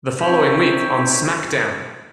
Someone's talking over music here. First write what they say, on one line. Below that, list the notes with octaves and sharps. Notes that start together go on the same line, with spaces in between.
The following week, on SmackDown!
C2 C4 D#4 G4 C#5